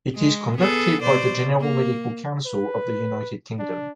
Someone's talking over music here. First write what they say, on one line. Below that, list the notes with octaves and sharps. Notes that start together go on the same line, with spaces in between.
It is conducted by the General Medical Council of the United Kingdom.
G#3
B3 G#4 A4
B2 C5 D5
A#3
B4
D4